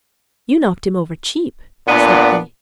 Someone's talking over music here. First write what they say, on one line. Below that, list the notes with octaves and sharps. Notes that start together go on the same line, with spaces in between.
"You knocked him over cheap," said he.
A#2 B3 D4